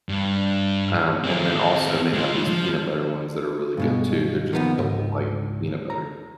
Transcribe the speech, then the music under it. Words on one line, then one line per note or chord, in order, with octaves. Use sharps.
Um, and then also they have these peanut butter ones that are really good too, they're, just, filled with, like, peanut butter.
G2
C4 G#4
G#3 F4
F3
G2 B2 G#3
C3 D#3 F3 A#3 B3
C#2 G#2
A#5